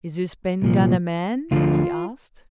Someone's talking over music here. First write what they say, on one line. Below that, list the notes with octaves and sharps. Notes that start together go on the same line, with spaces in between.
"Is this Ben Gunn a man?" he asked.
C2 A#2 F3
D2 D3 F3 F4